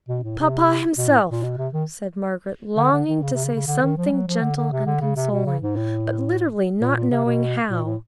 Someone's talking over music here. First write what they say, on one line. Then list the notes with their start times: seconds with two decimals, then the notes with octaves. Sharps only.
'Papa himself,' said Margaret, longing to say something gentle and consoling, but literally not knowing how.
0.08 B2
0.23 A2
0.39 C3
0.97 B2
1.09 A2
1.31 A#2
1.43 B2
1.57 C3
1.73 D#3
2.77 D3
2.92 D3
3.08 D#3
3.22 C#3
3.33 C3
3.44 C#3
3.55 C#3
3.67 D3
3.82 D#3
3.97 F3
4.07 G3
4.12 F#3
4.27 F3
4.41 D3
4.56 D3
4.72 C3
4.86 D3
5.01 C#3
5.16 C3
5.31 B2
5.46 C#3
5.62 G#2
5.76 A2
6.81 A#2
6.96 A#2
7.10 C3
7.25 B2
7.70 A#2
7.85 A2